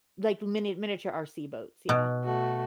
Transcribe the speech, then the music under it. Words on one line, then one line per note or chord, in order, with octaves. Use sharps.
Like mini miniature RC boats, yeah
B2
A3 F#4